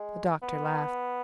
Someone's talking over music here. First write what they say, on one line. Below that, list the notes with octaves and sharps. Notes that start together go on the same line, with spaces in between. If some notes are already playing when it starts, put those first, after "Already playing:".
The doctor laughed.
Already playing: G#3
B3